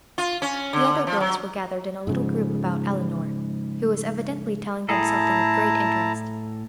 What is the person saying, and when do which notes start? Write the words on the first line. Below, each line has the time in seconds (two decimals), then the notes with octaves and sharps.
The other girls were gathered in a little group about Elinor, who was evidently telling them something of great interest.
0.18 F4
0.42 C#4
0.73 D3
1.07 F3
1.20 F#3
2.07 G#2 C#3 F3
4.89 A2 E4 G#4 A4 A5 A#5